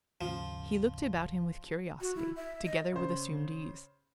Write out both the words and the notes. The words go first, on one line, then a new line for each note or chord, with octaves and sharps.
He looked about him with curiosity, together with assumed ease.
D#2 G#2 C#3 F3
F#4
E4
E5
D#5
C#3 C5